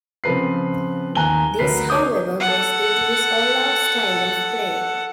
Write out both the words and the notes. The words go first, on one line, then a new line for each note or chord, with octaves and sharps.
This, however, was due to his all-out style of play.
C#3 F3 C4 B4 C7
D#2 G#5 A#5 F#6 G7
D2 A#4 B4 B6 C7
C#5 D6 D#6 G6
A4 F#5